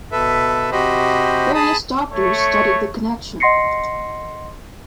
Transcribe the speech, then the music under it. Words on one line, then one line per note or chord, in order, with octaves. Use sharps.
Various doctors studied the connection.
B2 A4 B4 E5
C3 F#4 G4 C5 D#5 B5
G#4 A5 B5 D#6
A3 C#5
D#5 F#5 C6 A#6 C7 C#7